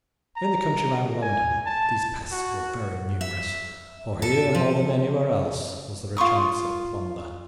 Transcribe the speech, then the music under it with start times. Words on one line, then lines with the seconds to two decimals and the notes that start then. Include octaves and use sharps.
In the country round London these pests were very numerous, for here, more than anywhere else, was there a chance of plunder.
0.36 A#5
1.22 G#5
1.66 A5
2.32 F#4
3.21 E5
4.22 A4
4.55 F3
6.17 F4 C6 C#6 D#6